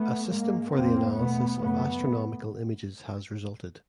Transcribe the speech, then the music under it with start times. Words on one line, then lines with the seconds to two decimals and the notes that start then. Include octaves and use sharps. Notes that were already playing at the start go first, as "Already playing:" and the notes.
A system for the analysis of astronomical images has resulted.
Already playing: A3 B3
0.29 G#2 G#3 A#3
0.73 F2 C#3 A#3 C4
1.16 E2 B2 A3 B3
1.61 F#2 C#3 A3 B3